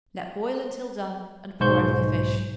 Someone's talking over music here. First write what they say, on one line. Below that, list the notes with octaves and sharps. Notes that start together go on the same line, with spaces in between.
Let boil until done and pour over the fish.
B1 G#2 C5 C#6 G6